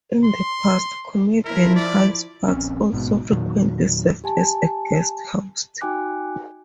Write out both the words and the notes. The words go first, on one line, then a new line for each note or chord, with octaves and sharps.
In the past, Comedian Hal Sparks also frequently served as a guest host.
C6
F3 E4 A#4
D5
D#1 A#1 C4 C#4
A1 G#2 B2
E2 A#2 D#3 F#3
G4 G#5 A5
D#4 F#4 G5 G#5 D6 F#6